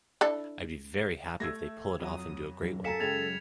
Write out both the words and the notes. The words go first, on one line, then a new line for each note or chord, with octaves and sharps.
'I'd be very happy if they pull it off and do a great one'.
D4 E4 A4
A3 E6 G#6 A#6
F2 F#3 D#6
F#2
A4 F5 G#5 A#5 B6 C#7 E7
C#3 G#3 G5 G#6 A6 F7